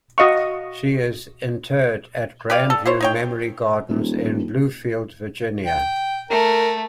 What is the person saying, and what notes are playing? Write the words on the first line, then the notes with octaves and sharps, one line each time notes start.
She is interred at Grandview Memory Gardens in Bluefield, Virginia.
F#4 D#5 F5 C#6
G4 B4 D5 F5
A4
E4 C5 C#5
D#4 C#5 G5
D#1
G5
A3 A#4